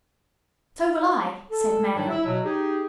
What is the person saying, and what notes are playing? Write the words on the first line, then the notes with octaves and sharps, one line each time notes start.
"So will I," said Mary.
A4
G#2 D#3 F#3 D4 E4
E4 E5
B2 F#3
D#4 G4 G#4